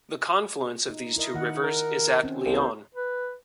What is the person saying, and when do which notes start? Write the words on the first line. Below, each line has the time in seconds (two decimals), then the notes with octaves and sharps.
The confluence of these two rivers is at Lyon.
0.89 D#4
1.16 E4 A#4 D#5
1.34 D#3 F#5
1.64 A#4
2.23 C4 C#4
2.45 C2 B3 A4 C5
2.95 B4